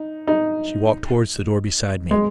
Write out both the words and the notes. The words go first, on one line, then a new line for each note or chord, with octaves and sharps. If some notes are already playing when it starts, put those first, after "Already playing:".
She walked towards the door beside me.
Already playing: D#4
D#4
G#3